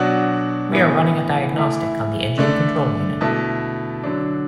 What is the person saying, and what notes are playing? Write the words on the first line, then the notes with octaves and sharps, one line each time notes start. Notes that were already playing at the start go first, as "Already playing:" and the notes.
We are running a diagnostic on the engine control unit.
Already playing: B2 F#3 D4 F#5
A2 E3 B3
E3 A3 E4
D3 A3 D4
B2 A3 E4 A5
D3 F#3 D4